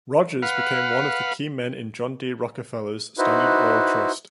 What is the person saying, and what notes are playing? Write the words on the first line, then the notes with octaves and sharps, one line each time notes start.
Rogers became one of the key men in John D. Rockefeller's Standard Oil Trust.
B4 F5 F#5
D#4 E4 F#4 B4 C5